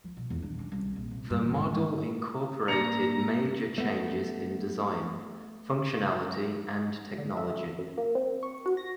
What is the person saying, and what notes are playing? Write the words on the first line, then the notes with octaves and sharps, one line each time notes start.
The model incorporated major changes in design, functionality and technology.
F3
B2
E2
D4
C#4
C2
A#1
C3
G2
E3
G#2
G#2
A2 A#3 D4 A#5 C#7 F7
A3 B3
D3
E5
A3
F#2
A#3
C4
C#6
F#4
A#6